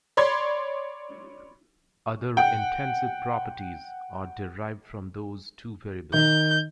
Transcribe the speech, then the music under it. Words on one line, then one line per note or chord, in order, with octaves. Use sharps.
Other intensive properties are derived from those two variables.
C#5 D5 B5 C6 G#6
F#5 G5
D#3 G6